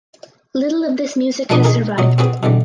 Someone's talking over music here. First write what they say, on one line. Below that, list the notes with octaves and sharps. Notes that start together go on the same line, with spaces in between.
Little of this music has survived.
B2 F3 A#3 D4 D6 D#6
D#3 G#4 A#4
B2 F#3 D#5 C#6
C4 F#4 G#4 B4
B2 D3 E3 G3